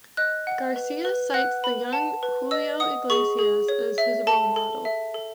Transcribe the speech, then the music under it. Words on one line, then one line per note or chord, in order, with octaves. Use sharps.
Garcia cites the young Julio Iglesias as his role model.
D#5 F#6
F#5
B4
B4
F#5 F#6
B4 B5
F#5 A5
B4
D#5 E6
F#5 D#6
G#4 C#6
G#4
C#5
E5
A4 A5
A4
E5
A4